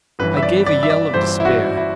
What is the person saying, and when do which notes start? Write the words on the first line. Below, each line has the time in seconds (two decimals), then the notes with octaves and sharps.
I gave a yell of despair!
0.19 G1 G2 E3 B4
0.37 E5
0.43 D5
0.66 D5
0.83 E5
0.90 D5
1.14 G1 G2 E3 C5
1.40 E4
1.45 F#4
1.77 E4